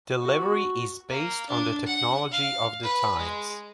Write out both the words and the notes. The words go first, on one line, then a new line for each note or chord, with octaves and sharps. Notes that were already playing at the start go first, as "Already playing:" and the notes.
Delivery is based on the technology of the times.
F#4
A#3
D4
F#5
F5
B4
G#3